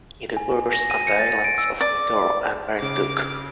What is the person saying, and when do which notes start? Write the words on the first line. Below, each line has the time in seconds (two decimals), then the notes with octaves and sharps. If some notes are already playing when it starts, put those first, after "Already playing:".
It occurs on the islands of Mindoro and Marinduque.
0.37 G#5
0.73 A#6
0.90 D#7
1.07 C#7
1.19 A6
1.44 D7
1.58 E6
1.81 D5
2.82 C#3 D6